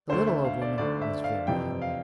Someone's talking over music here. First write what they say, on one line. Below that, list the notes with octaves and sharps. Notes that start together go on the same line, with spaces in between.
The little old woman was very angry.
D2 D3 C5
E5
F5
D5
D2 D3 D5
E5
F5
F2 C3 E3 G5
F5